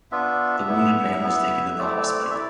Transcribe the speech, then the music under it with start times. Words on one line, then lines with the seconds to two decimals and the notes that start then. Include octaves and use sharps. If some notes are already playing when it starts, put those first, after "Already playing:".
The wounded man was taken to the hospital.
0.12 B3 D4 F4 E5
0.68 B3 E4
1.23 B3 E4
1.78 A3 C4 E4 D5
2.07 D5
2.30 E5
2.35 E4 D5